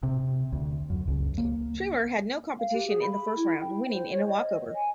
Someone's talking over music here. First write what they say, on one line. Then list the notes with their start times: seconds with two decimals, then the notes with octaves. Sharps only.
Tremeer had no competition in the first round, winning in a walkover.
0.03 C3
0.52 D2
0.90 F#2
1.08 C#2
1.38 A#3
2.59 F5
2.73 G4
2.87 G#4
3.01 B5
3.36 E4
3.60 G5
3.88 C5
4.10 C#5
4.27 D#5
4.75 G#5